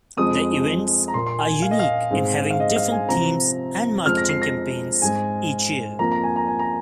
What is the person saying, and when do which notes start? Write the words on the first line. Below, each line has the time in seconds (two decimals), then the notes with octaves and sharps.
The events are unique in having different themes and marketing campaigns each year.
0.17 F2 F3 G#3 C4 D#6
1.08 A#5
1.14 A#2 A#3 C6
1.26 C6
1.39 G#5
1.62 F5
1.71 D#5
1.79 F5
2.11 G#2 G#3 C4
2.51 F5
2.60 D#5
2.76 F5
2.92 G#5
3.08 C3 F3 C4 A#5
4.05 F2 F3 G#3 C4 F6
4.17 A#6
4.29 C7
4.42 A#6
5.02 G#2 G#3 C4 G#5
5.99 F2 F3 A#3 A#5
6.12 A#5
6.24 G#5
6.36 A#5
6.48 G#5
6.59 A#5